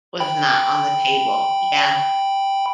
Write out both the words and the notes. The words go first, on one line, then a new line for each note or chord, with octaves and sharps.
Was not on the table. Yeah.
G5 B5